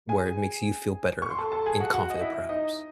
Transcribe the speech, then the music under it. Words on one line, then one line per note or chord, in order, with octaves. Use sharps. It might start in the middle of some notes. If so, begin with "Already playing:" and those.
where it makes you feel better and confident perhaps.
G#4 G#5
C#6
C6
A4 A5
A4 A5
G#4 G#5
F#4 F#5
F#4 F#5
D#5
E4 E5
D#4 D#5